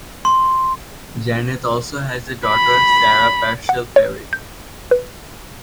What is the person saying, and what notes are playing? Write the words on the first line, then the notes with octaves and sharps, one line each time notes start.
Janet also has a daughter, Sarah Parshall Perry.
C6
B5
F#5
C#5
G6
B4